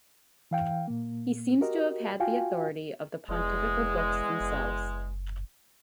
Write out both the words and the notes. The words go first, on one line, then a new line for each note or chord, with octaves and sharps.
He seems to have had the authority of the pontifical books themselves.
E3 F5 G5
A#2 A#3
F#4 G4 A#4 D#5
F4 F#4 F5 G5 G#5
F1 E2 G#3
F#1